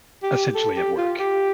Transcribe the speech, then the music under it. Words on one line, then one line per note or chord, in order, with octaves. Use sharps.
essentially at work.
G4
A4
G4
F4
G4